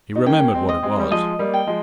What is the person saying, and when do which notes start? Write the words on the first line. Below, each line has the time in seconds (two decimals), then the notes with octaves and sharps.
He remembered what it was.
0.16 D#4
0.26 A#3 C#4 G5
0.54 G#3 C4
0.69 D#5
0.83 G#3 C4
0.99 G3
1.11 F3 G#3 D#5
1.39 G3 A#3
1.54 G5
1.67 F3 G#3